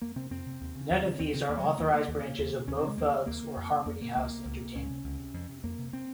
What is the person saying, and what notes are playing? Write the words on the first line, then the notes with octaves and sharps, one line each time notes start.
None of these are authorizied branches of Mo Thugs or Harmony Howse Entertainment.
F2 A#3
C3 C4
F2 C4
C3
D#2
C#3
D#2
C#3
D#2 C4
C#3 C4
D#2 A#3
F#3
C#3 G#3
D#2 A#3
C#3 A#3
D#2
C#3
D#2
C#3
D#2 C#4
C4
C#3 G#3
D#2 A#3
C#3
D#2 A#3
C#3
F2
C#3
F2 A#3
C#3 A#3
C#2 A#3
C3
C#2
C3
C#2 C#4
C3
C#2
C3
F2
C3
F2 A#3
C3
C4